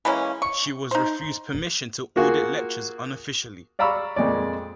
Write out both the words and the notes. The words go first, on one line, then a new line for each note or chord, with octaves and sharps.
She was refused permission to audit lectures unofficially.
E3 G#3 A#3 C#4
C#6
D#4 C5
A#3 F4 F#4 G#4
D5 F5 A#5 B5 C#6 E6
F2 A#2 G#3 D5